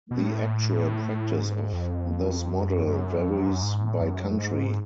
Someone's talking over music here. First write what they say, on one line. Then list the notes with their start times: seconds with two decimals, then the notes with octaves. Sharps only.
The actual practice of this model varies by country.
0.11 B2
0.20 A2
1.35 G#2
1.73 F2
2.49 F#2
2.87 F#2
3.25 F2
3.37 F#2
3.46 G#2
3.50 F#2
3.63 G#2
3.82 A2
4.01 F#2
4.39 G#2